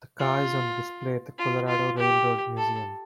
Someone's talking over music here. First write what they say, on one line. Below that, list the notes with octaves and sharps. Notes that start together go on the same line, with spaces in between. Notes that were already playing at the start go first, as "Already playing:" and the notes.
The car is on display at the Colorado Railroad Museum.
F4
F4
F4
G4
A4